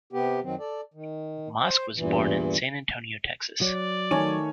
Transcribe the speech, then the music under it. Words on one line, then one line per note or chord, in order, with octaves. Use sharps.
Mosk was born in San Antonio, Texas.
C3 B3 G4
F#2 D#3 F#3 C4
A4 D5
D#3
C5
E2 G2 A#2 E3
F#3 D5
D#3 A3 C#5 G#5